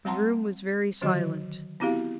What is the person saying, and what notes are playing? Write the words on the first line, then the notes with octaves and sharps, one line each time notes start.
The room was very silent.
G3 C4 F#5 A5 A#5 C6
D3 D#3 F#3 F#4 D#5
B3 C4 E4 F#4 G4 F5